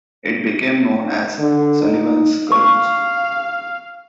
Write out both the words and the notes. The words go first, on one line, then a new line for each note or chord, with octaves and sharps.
It became known as Sullivan's Gulch.
D3
D#4
F5 C#6